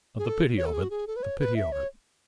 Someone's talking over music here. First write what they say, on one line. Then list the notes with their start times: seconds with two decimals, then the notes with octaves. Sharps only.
But the pity of it--the pity of it!
0.19 G#4
0.26 A4
0.58 C#5
0.66 A4
0.74 G#4
0.83 F#4
0.90 G#4
1.07 A4
1.16 B4
1.23 C#5
1.39 B4
1.56 E5
1.72 C#5